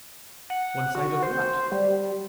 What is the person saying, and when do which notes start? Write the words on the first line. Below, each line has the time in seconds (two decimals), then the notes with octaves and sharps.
'One side of WHAT?
0.50 F#5
0.95 F#4
1.23 C5
1.72 G3